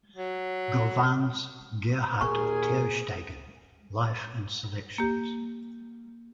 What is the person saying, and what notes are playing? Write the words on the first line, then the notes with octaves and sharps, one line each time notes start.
Govan's, "Gerhard Tersteegen: Life and Selections".
F#3
D#2 A#2 G#4 A#4 G#5 C#6
A#3 G4